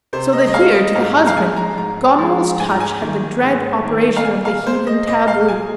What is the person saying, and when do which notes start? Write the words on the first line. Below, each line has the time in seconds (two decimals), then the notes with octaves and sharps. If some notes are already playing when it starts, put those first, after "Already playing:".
So that here, to the husband, Goneril's touch had the dread operation of the heathen taboo.
0.13 C3 C5
0.33 D#5
0.47 D#5
0.54 G#3 F5
0.75 D#5
0.95 G#2 F5
1.16 A#5
1.27 F5
1.37 F3 G#3 G#5
1.56 A#5
1.77 G#2 A#5
2.18 F3 G#3
2.60 G#2 G#5
2.70 A#5
2.80 G#5
3.02 D#3 A#3
3.42 G#2
3.83 D#3 A#3
4.17 F5
4.25 A#2 G#5
4.45 F5
4.66 G#3 C5
4.87 D#5
5.07 A#2 D#5
5.28 F5
5.48 G#3 G#5